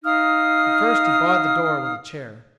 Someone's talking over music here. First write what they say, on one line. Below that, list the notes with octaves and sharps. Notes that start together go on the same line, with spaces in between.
But first he barred the door with a chair.
D#4 F5 D#6 F6